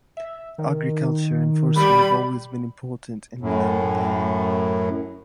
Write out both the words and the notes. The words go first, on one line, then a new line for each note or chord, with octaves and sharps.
Agriculture and forestry have always been important in Namdalen.
E5
D#3
G3 B5
F#2 A2